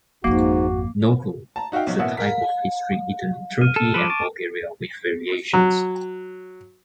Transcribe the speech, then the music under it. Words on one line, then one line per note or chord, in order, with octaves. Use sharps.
Nokul is a type of pastry eaten in Turkey and Bulgaria with variations.
G#1 F2 G#2 A#3 F#4
A5 A#5
D#4 F#4 E5 F5 G5
B1 F#3
A1 B2 A#3 E5 F#5
A#4 B6
F6 D#7
A4
F3 A4 B4 D6 D7 D#7
A5 C#6 D7
F#3